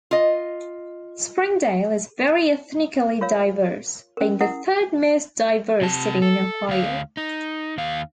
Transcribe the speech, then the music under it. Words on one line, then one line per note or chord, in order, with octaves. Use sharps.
Springdale is very ethnically diverse, being the third most diverse city in Ohio.
F4 D#5
F4 A#4 C#5 F5
C#4 A#4
E4 A#4 F#5 D#6
C3 A5
A4
D2 F5
D#4
D#2 F5